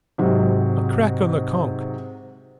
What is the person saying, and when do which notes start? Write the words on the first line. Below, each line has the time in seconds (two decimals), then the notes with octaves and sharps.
A crack on the conk.
0.18 G#2 C3 F#3